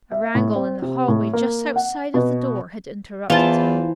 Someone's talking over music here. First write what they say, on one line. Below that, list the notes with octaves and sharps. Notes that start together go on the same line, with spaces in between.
A wrangle in the hallway just outside of the door had interrupted him.
E5
A2
C4
C3
A2
A#3
F#5
B2
E2 E3 F4 C5 A5